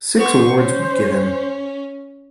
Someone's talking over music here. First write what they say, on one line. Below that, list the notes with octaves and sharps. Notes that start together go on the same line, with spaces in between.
Six awards were given.
B3 C5 C#6
C#4